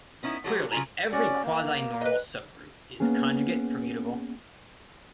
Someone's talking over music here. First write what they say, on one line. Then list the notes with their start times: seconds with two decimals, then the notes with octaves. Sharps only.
Clearly, every quasinormal subgroup is conjugate-permutable.
0.23 B3 C#4 D#4 E4
0.44 F#3 G#3 F#4 G4 A4 C#5
0.71 C#3 F#3 G#3 F4 G#5 A#5
1.12 C#4 F#4 D5
1.43 A#3
2.01 B4 D#5
3.00 A#3 B3 C#4 G#4